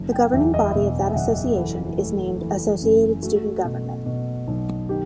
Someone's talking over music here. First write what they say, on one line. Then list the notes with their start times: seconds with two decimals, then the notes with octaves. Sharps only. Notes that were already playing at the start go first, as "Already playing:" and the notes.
The governing body of that association is named "Associated Student Government".
Already playing: F#1
0.12 G5
0.33 E2 E5
0.54 D#5
0.69 D#5
0.74 B2 E5
1.10 E5
1.16 F#1 F#5
1.57 E3 A4
1.99 A3
2.40 E3
2.82 F#2
3.23 A3 F#4
3.64 B2
4.06 B2
4.48 B1
4.89 D#3 G4